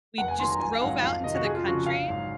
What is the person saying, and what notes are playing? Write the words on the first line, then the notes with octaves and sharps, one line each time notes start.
we just drove out into the country,
F1 F#5
G#5
D#2 D#3 F#3 C6
A#5
A#1 G#5
F5
G#2 D#3 F#3 F#5
F2 F5
C3 D#3 D#5
F#4
F2 G#4
F4
C#3 F3 F#4
A#1 F5
G#2 F#3